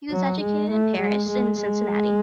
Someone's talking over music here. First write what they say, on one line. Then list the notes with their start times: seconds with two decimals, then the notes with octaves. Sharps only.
He was educated in Paris and Cincinnati.
0.11 F#3
0.41 G#3
0.71 A3
1.00 G#3
1.29 G#3
1.59 G#3